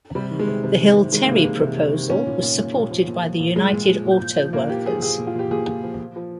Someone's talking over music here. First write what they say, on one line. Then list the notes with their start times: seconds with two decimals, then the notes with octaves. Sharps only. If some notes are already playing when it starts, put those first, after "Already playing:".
The Hill-Terry proposal was supported by the United Auto Workers.
0.15 C3 G3
0.31 D#3
0.39 G#3
0.48 C3
0.64 C3
0.80 D#3
0.96 C3
1.12 D#3 G#3
1.24 C3 A#3
1.35 G#3
1.45 C3
1.61 C3
1.78 D#3
1.94 D#3
2.10 A#2 C#4
2.27 A#2
2.43 A#2
2.59 A#2
2.75 A#2
2.91 F3
3.07 A#2
3.24 F3
3.39 A#2
3.56 A#2 G#3
3.72 A#2
3.88 F3
4.05 A#2
4.21 A#2
4.37 F3
4.53 A#2 A#3
4.70 F3 G4
4.86 F3 G#4
5.02 A#2 G#4
5.19 A#2
5.27 F4
5.35 A#2 G4
5.51 A#2 G#4
5.67 A#2
5.83 F3
6.00 F3
6.16 F3